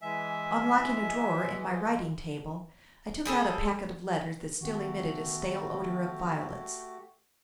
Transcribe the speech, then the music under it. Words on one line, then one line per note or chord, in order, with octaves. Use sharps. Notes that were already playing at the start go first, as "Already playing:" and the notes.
Unlocking a drawer in my writing-table, I took out a packet of letters that still emitted a stale odour of violets.
E3 G#3 E5 G#5
G3 G#4 A4
D#3 A3 B3 F#4 G4